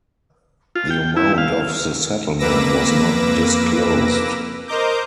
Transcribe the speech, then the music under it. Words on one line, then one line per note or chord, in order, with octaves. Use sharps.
The amount of the settlement was not disclosed.
F4
G5
E4
F5
F2 A#3 B4 D6 E6 A#6
A#4 C5 D#5 A#5 D6 G6